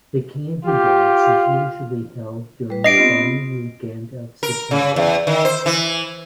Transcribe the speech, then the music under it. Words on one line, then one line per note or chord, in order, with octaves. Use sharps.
The Candy Dance is usually held during the final weekend of September.
F4 G4
G3 B4
D4 G4 D#5 C7 D7
B3 C4 F4
A#4
C#3
E2
D#3
C5
E3